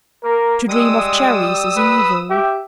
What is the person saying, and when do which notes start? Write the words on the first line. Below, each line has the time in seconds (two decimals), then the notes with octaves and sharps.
To dream of cherries is evil.
0.24 A#3 A#4
0.69 G3 G#3 D#6 E6
1.77 B4
2.30 G4 E5